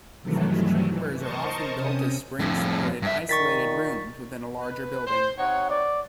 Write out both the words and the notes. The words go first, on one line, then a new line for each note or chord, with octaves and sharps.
Such chambers are often built as spring supported isolated rooms within a larger building.
G2 C3 D#3 E3 F#3 A3
E3
A#4 C5 D#5 A5 C#6
C3 C#4 D#6
F2 A2
G2 E5
A#2 D#3 C#6 A6 B6
B4
C5
C3 D#4 C#5 F#5
D5